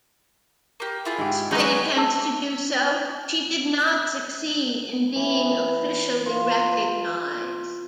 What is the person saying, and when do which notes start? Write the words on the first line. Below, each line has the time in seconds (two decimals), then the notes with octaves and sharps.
Despite attempts to do so, she did not succeed in being officially recognized.
0.80 A#3 G4
1.05 E4 F4 G#4
1.18 G#2 G4
1.51 F#3 G#3 C#4 G#4 B4
1.96 G#4 A5 E6
5.16 E3
6.26 F4